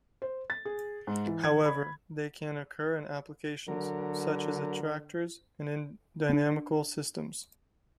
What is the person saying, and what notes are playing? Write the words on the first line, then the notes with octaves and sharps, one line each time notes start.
However, they can occur in applications, such as attractors in dynamical systems.
C5
A6
G#4
G#2
E3
G#6
B5
D3 F#3 A#4
C4 D4